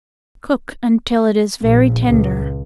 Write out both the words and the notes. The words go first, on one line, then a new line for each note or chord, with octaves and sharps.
Cook until it is very tender.
A#1
C#2